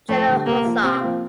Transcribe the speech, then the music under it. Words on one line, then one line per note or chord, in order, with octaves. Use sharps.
General hussar.
F2 A3
D3 G3
C3 A#3
F3 A#3 F4
C3 C4
F3 A#3 F4